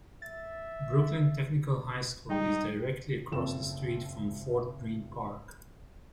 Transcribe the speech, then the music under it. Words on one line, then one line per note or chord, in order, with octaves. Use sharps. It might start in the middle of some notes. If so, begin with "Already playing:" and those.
Brooklyn Technical High School is directly across the street from Fort Greene Park.
E5 A6
G3 D#4 G5
F#1 B2 F3 C4 A4 E7